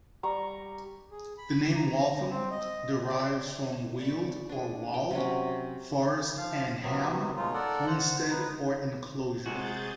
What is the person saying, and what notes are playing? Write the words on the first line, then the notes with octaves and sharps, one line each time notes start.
The name Waltham derives from "weald" or "wald" "forest" and "ham" "homestead" or "enclosure".
G3 A#5 C#6
G#4
B5
A#5
C4
D#5
D5
D5 B5 C#6
D4 G#4
G5
C3 F#3 C#4
F3 F5
C3 D#3 F#3 B3
B2 G#3 D#4 F4
A4 A#4 D5 F#5
C5 F#5
D#4 B4
C3 G#3 F#4 G#4 G6 A6